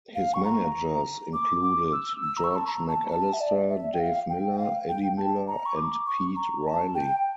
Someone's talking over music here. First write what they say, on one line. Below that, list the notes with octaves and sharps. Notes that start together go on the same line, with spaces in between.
His managers included George McAllister, Dave Miller, Eddie Miller, and Pete Reilly.
F5
C#6
A#5
D6
D6
E6
E6
A#5
C#6
A5
A#5
A5
A5
E5
D5
E5
G5
F5
G5
G5
F5
G5
A5
A#5
C#6
D6
C#6
A#5
A5
G5